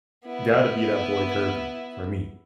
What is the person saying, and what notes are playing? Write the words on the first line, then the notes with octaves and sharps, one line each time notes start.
gotta be that boy Kirby, for me.
B3 E4